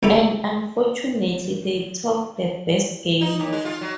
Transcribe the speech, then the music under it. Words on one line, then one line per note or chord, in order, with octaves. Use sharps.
And unfortunately they talk the best game.
C#2 G3 A3 D#4 A4 B5
D#4
D#2
G#3
F4
F#3